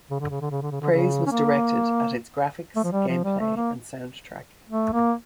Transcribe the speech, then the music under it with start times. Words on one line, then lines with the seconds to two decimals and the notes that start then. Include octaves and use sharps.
Praise was directed at its graphics, gameplay, and soundtrack.
0.11 C#3
0.20 D3
0.30 C#3
0.41 D3
0.51 C#3
0.62 D3
0.71 C#3
0.81 D3
0.91 C#3
1.26 C#4
1.31 A#3
2.76 A3
2.84 F3
2.92 G3
3.08 F3
3.24 G3
3.40 A3
3.56 A#3
4.69 A3
4.93 A#3